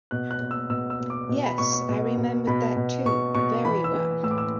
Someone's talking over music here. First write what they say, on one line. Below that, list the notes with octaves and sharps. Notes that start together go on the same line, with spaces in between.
Yes, I remembered that too, very well.
B2 F#6
F#6
B2
E6
B2 E6
E6
B2
D6
B2
B5
B2 C#6
C#6
B2
B2
B2 B5
B2
B2 C#6
B2 C#6
E3 B5
E6
E3
A2 E6
D6
E6